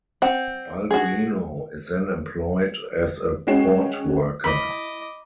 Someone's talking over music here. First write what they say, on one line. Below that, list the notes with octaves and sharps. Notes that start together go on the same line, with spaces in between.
Balduino is then employed as a port worker.
C4 F#5
F#4 G#4
G#3 C#4 F#4 G5 C7 E7
E4 D#5 B5 D6